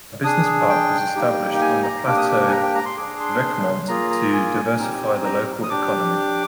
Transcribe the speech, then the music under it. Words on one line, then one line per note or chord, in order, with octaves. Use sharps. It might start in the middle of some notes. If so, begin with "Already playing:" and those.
A business park was established on the plateau Vecmont to diversify the local economy.
D4 G#4 D#6
G5
A#3 D#4 G4
G5
G#5
A#5
A#3 D4 G4 D6
D#6
D6
D6
G#5
A#5
G5
A#5
C6
D4 G#4 D6
C6
A#3 F4 G#4 A#5
A#5
G#5
C4 D#4 G4
A#5
D#6
D4 G4 D6